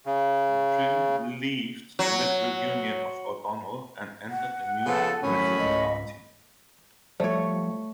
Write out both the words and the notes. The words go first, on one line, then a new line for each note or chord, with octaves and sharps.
Prim leaved the Liberal Union of O'Donnell and entered the new Progressive Party.
C#3
F#3
F#5
C#3 F3 B3 A4
G#1 F#2 A2 F#3 C#4 B5
C#2 G#2 D#5
F3 G3 A3 C#5